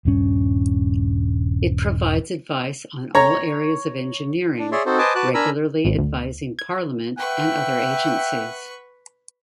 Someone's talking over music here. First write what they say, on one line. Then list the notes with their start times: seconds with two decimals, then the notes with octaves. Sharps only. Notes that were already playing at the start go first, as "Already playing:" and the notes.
It provides advice on all areas of engineering, regularly advising Parliament and other agencies.
0.05 D#1 G2 C#4
3.15 C#5 A#5 C#6
4.59 D4
4.72 G#4 C#5 D5 E5 C6
4.86 C4 D#4 F#4 A4 C5
4.98 B4 C5 D#5 G#5 A5 D6
5.15 F#4 B4 A5 D6 F#6
5.34 D4 A#4 G#5 A#5 B5 E6
5.85 G#1
5.99 D2
6.59 G#6
7.18 B4 E5 F#5 G5 C#6